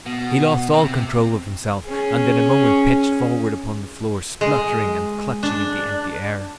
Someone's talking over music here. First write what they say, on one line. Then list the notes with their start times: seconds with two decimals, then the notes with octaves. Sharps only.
He lost all control of himself and in a moment pitched forward upon the floor, sputtering and clutching at the empty air.
0.06 B2
0.74 C3
1.86 C#4 G#4
4.41 G#3
5.43 D4